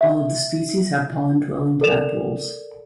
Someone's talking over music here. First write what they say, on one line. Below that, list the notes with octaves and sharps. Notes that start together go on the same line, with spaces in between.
All of the species have pond-dwelling tadpoles.
E5
A4 A#4 D5 E7 F7